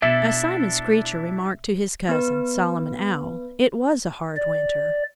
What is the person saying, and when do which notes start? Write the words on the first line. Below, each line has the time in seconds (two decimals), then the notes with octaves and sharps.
AS SIMON SCREECHER remarked to his cousin, Solomon Owl, it was a hard winter.
0.02 B2 D4 E4 A4 E5
2.09 B3 B4
4.36 D5